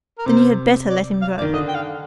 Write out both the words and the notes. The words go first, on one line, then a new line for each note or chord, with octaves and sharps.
"Then you had better let him go."
A#4
C3 C5
D5
F5
D5
D#3
D3 D#5
G5
F5